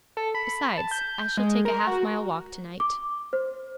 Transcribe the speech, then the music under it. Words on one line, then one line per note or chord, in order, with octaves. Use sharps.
Besides, I shall take a half-mile walk to-night.'
A4
B5
A5
G6
G#3
A#4
F#4
D6
C5